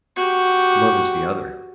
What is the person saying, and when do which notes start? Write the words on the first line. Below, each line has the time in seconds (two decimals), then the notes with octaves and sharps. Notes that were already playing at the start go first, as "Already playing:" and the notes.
Love is the other.
0.16 F#4 G4